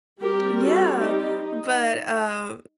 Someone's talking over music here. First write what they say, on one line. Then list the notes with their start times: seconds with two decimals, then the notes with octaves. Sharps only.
Yeah, but, uh,
0.21 G3 C4 G4 A#4
0.60 F#4 A4
0.98 D#4 G4
1.37 D#4